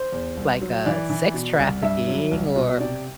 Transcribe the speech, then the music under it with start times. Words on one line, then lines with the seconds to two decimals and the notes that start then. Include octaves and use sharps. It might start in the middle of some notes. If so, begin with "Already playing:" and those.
like, uh, sex trafficking or
Already playing: C5
0.12 E2
0.37 C2
0.61 F#3
0.86 E3 D5
1.10 E3
1.34 B2
1.59 C2
1.83 G2 E5
2.07 F#3
2.31 C2
2.56 B2
2.80 C3 D5